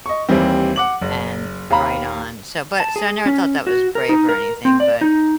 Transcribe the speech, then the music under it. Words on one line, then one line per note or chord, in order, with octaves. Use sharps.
and right on. So, but so I never thought that was brave or anything, but
D#5 C#6
D#2 E3 G3 C4
F#5 D6 F#7
F#1
D#2 F5 A#5 B5
A5
G#4
C#4
F#4
A#4
D#4
A#4
C4
D5
D#4